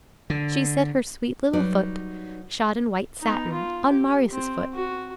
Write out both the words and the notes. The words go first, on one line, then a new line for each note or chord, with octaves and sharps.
She set her sweet little foot, shod in white satin, on Marius' foot.
D3
F#3 G3 D#4 B4 D5
B3 D#4
F4
G4
C4
F#4